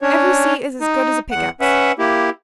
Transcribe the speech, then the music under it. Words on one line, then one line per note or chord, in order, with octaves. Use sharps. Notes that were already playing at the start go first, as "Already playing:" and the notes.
Every sea is as good as a pickaxe.
C#4 D4 C#5
D#4
E2 F#5
C#4 B4 E5 F#5
A#3 E4 G4